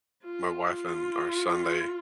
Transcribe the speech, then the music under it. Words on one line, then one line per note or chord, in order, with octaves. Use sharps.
my wife and our son, they
F4
F4